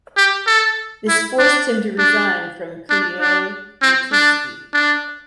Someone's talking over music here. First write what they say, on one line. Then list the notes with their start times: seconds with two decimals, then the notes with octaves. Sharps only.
This forced him to resign from "Kurier Litewski".
0.17 G4
0.47 A4
1.08 E4
1.39 D4
1.99 D4
2.90 D4
3.20 D4
3.82 C4
4.13 D4
4.74 D4